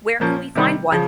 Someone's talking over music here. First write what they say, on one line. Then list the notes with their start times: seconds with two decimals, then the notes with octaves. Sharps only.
Where can we find one?
0.20 A#2 F3 A#3 C#4
0.55 C3 D#3 G3 C4 D#4
0.92 C#3 F3